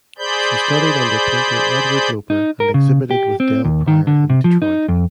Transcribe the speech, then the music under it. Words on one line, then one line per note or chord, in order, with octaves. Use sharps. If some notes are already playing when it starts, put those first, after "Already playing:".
She studied under painter Edward Loper and exhibited with Dell Pryor in Detroit.
G#4 C5 D5 B5 G6
D#4
A#4
C#3
G4
C4
D#2
D#3
D3
C3
F3
D#4
F2